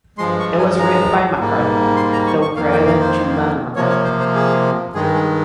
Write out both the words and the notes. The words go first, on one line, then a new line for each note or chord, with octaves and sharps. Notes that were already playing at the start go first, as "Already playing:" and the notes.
It was written by McCartney, though credited to Lennon-McCartney.
G2 F3 G#3 C6
C#6
G#5
A#5
G#2 G3 A#3
C6
A#5
C#6
C#6
F2 D#3 A#3 F5
G5
F5
C5
C3 F3 A#3 C#5
C#5
C5
C5
G#4
G2 D#3 G#3 G#4
G#4